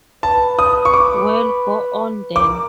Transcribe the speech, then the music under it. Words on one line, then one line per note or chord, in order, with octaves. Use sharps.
Well, go on then!
B4 A5
D#6
C#6
D6
A#4 D6